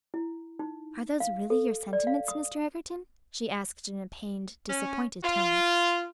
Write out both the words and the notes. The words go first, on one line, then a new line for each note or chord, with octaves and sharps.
"Are those really your sentiments, Mr. Egerton?" she asked, in a pained, disappointed tone.
E4
D#4
F5
A4
D5
F5
D#6
C#4
F4